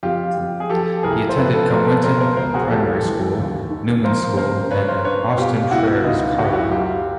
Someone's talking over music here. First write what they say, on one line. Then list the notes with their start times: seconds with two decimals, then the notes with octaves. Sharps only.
He attended Cumwhinton Primary School, Newman School and Austin Friars, Carlisle.
0.03 F2 F4 G4
0.37 F2
0.60 G#4
0.70 F3 G4 A4
1.03 C2 G#4 A#4
1.29 C5
1.36 F2 A4 B4
1.54 A4 B4
1.70 F3 A#4 C5
1.87 A4 B4
2.04 B2 A#4 C5
2.20 A#4 C5
2.37 C#2 A#4 C5
2.54 F#4 G#4
2.70 E3 G4 A4
3.05 E3
3.38 D#2
3.70 D#3
4.04 F3 A#4 C5
4.37 C#3 A#4 C5
4.71 G2 B4 C#5
4.88 A#4 C5
5.04 G2 B4 C#5
5.38 B2 F4 G4
5.71 C#2 E4 F#4
6.04 C#2 D#4 F4
6.38 C#2 F#4
6.45 G4
6.52 E4 F#4
6.71 F#2 F4 G4